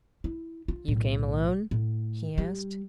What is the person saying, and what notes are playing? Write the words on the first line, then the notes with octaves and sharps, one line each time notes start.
"You came alone?" he asked.
E4
F4
B1 A2
A2
G3